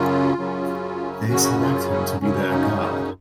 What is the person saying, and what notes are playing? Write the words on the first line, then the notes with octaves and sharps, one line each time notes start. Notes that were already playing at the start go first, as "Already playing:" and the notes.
They select him to be their god.
Already playing: F#2 C#3 F#3 C#4 F4
F#2 C#3 F#3 C#4
F#2 C#3 F#3 C#4 F#4
F4
C#4
F#2 C#3 F#3 C#4
D#4
D#4